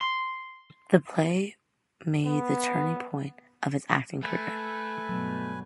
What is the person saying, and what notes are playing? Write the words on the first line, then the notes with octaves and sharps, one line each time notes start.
The play made the turning point of his acting career.
C6
B3
A3 B4 G#5
G2 B2 F#3